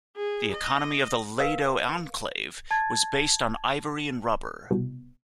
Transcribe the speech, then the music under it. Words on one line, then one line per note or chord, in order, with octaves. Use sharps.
The economy of the Lado Enclave was based on ivory and rubber.
G#4
D#5
A#4 B4 F5
A5 G#6 A6
C2 B2